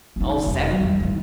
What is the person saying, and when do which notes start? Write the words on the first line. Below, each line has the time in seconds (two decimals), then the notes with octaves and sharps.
"All seven?"
0.16 C4 D#4
0.47 E1
0.80 F2 G3
1.00 D#3 E4